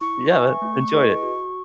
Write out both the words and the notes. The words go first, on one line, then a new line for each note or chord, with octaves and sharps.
Yeah, that enjoy it.
E4 C#6
B4 E5 G#5 C#6
A3
E4 G#4 B4 D#5
F#4